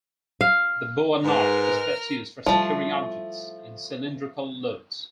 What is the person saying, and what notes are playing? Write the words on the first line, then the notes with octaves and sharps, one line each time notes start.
The boa knot is best used for securing objects in cylindrical loads.
F5
G#2 A#4 B4 F6
F3 G3 A3 E4